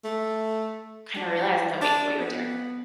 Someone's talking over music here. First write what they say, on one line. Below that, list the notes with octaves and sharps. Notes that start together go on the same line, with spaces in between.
kinda realizing that wha what you were doing
A3
D4
D4
B3